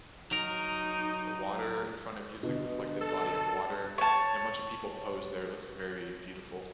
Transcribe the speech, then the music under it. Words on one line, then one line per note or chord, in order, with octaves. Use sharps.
water in front of you it's, like, reflected body of water, and a bunch a people pose there, it looks very beautiful.
F#3 D#4 A#4
B2 D3
A4 A5
C#5 A5